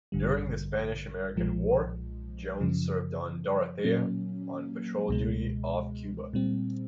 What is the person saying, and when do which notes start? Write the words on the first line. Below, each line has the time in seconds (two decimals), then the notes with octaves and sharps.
During the Spanish-American War Jones served on "Dorothea" on patrol duty off Cuba.
0.12 A1 G2 D3 G3
1.36 B1 A#2 F3 G#3
2.60 F#2 C#3 F3
3.84 A#2 F#3 A#3 C#4
5.09 C#2 B2 G#3
6.33 A#2 G3 C4